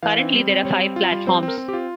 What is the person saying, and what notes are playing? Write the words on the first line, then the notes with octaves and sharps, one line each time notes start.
Currently there are five platforms.
E3 F5
C4
G3
C4
G3 C#5
C4
F4
G3
C4 C5
C4
A#4
C4
G4
F4